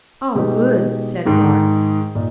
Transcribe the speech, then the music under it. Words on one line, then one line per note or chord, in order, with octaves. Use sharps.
"Ah, good!" said Garth.
B2 G#3 D#4 G4
G#2 D#3 G#3
A#2 A#3 D#4